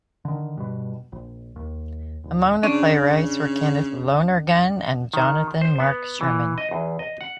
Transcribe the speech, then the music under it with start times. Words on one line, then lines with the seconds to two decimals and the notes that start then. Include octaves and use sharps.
Among the playwrights were Kenneth Lonergan and Jonathan Marc Sherman.
0.25 D3 D#3
0.57 G2 B2
1.12 A#1
1.56 D#2
2.24 D#1
2.63 C#3 C#4 D4
5.14 D#3
5.61 C5
5.80 B3
6.21 E3
6.58 D#5
6.71 E2
6.99 D#5
7.21 F#5